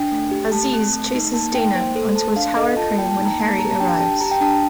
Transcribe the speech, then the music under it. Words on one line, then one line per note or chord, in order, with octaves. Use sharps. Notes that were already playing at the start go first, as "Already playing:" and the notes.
Aziz chases Dana onto a tower crane when Harry arrives.
Already playing: D4 G5
A3
G4
A3 A5
C4
A3
D#4
A#3 A5
D#4 G5
A#3 C5
A4 C5
A3 A5
D4 F5
A4 D#5
F4 A5
A#3 G5
A5
D#4
A#5
A#3 A5
A5
G4 A#5
A5
D4 G5
G4 A5
G4 A#5
G5
D4 A5